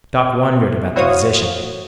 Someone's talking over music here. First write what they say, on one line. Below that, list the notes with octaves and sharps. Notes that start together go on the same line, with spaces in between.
Doc wondered about the physician.
E4 F#4 C5 C#5 F5 D#6